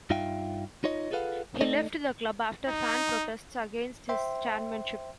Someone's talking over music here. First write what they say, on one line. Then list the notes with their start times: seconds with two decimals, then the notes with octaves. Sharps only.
He left the club after fan protests against his chairmanship.
0.10 G2 D#4 F4 E5 F5 G5
0.84 D#4 F4 C#5 D#5
1.11 F4 G#4 A4 B4 F5 F#5
1.61 A3 D#4 A4 D5 D#5
2.69 D#4
4.09 C5 E5 G5 C6